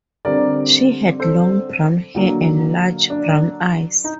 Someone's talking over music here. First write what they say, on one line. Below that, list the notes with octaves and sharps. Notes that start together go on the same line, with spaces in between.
She had long brown hair and large brown eyes.
D3 G3 C4 A#4 D5
A4 C5
D3 F#3 A#3
D4
D#4